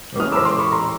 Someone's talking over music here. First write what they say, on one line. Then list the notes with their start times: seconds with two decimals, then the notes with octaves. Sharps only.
Of course.
0.20 E3 G#3 C#4 D#6 F6
0.32 D6 E6
0.45 C6 D6
0.59 B5 C#6
0.72 A#5 C6